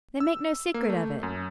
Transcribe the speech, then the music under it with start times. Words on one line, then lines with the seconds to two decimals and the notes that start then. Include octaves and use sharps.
They make no secret of it.
0.20 E6
0.74 A#3
0.90 A3
1.23 F#2